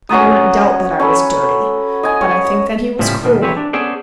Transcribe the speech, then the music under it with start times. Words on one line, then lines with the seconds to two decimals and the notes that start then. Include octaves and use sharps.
I do not doubt that I was dirty;--but I think that he was cruel.
0.09 C#4 F#4 A#5 D#6
1.00 C#4 A4 B5
2.03 D#5 G#5
2.21 C#5
2.99 A2 C#3 F3 G3 E4
3.24 D#2 B2 D#3
3.42 E3 C4 G4 B4 C#5
3.57 D4
3.73 B3 C#4 G#4 A4 C5 D5